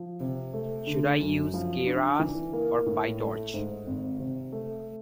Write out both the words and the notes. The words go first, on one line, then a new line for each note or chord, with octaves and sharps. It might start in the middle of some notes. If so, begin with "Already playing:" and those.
Should I use Keras or Pytorch?
Already playing: F3
C3
A3
D3
F#2
F3
D4
E3
A#3
A2
A3
G#2
G#1
C3
A3